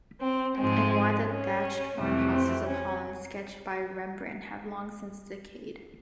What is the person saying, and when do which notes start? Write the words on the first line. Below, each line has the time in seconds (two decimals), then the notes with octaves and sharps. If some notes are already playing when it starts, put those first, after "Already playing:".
And why the thatched farmhouses of Holland sketched by Rembrandt have long since decayed.
0.21 C4
0.57 G#2 F3 G#3 C4
1.27 C#4
1.97 F2 C3 E3 A3
2.33 C4
2.67 C#4